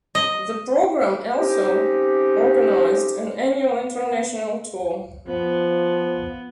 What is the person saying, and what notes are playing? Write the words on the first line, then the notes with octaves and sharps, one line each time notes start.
The program also organised an annual international tour.
D#5
A3 C4 C#4 D#4 G4
B3
F3 B3